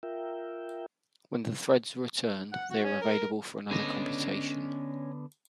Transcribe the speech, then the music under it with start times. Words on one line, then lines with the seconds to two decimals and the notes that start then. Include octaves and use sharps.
When the threads are returned, they are available for another computation.
0.03 F4 A#4 E5 G5
2.53 F#5
2.71 F#4
2.84 C#4
3.02 A#4
3.71 D3 B3 C#4 D4 D#5